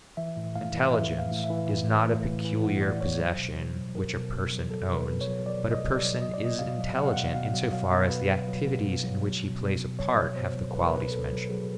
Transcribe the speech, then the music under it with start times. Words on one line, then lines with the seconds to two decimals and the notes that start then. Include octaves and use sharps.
Intelligence is not a peculiar possession which a person owns; but a person is intelligent in so far as the activities in which he plays a part have the qualities mentioned.
0.17 E3 E5
0.37 A2
0.55 A2 F5
0.74 E3
0.93 E3 E5
1.12 A2
1.19 F5
1.31 A2
1.44 E5
1.50 E3
1.69 E3
1.88 A2
2.07 A2
2.25 E3
2.44 E3
2.63 A2 F#5
2.82 A2 D5
3.01 E3 C#5
3.20 F#3 C5
3.38 B2
3.58 B2
3.76 F#3
3.95 F#3 A#4
4.14 B2
4.33 B2
4.52 F#3
4.70 F#3 A4
4.90 B2
4.96 B4
5.08 B2
5.21 C#5
5.27 F#3
5.46 F#3 D5
5.65 B2
5.71 D#5
5.84 B2
5.96 D5
6.03 F#3
6.22 F#3 D#5
6.34 D5
6.40 B2
6.45 D#5
6.59 B2 F5
6.78 F#3
6.97 F#3 F#5
7.05 F5
7.13 B2 F#5
7.34 B2 F5
7.54 F#3
7.72 F#3 F5
7.92 B2
8.10 B2 B4
8.29 F#3
8.48 F#3
8.67 B2
8.86 B2
9.05 F#3
9.24 F#3
9.43 B2
9.61 B2
9.80 F#3
9.99 F#3 C#5
10.18 B2
10.36 B2 C5
10.56 F#3
10.74 F#3 B4
10.85 A#4
10.93 B2 B4
11.12 B2 A4
11.31 F#3
11.49 F#3 G#4